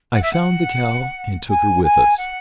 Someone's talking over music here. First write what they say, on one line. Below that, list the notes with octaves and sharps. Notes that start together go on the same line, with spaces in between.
I found the cow, and took her with us.
F#5
E5
F#5
G#5
G#5
F#5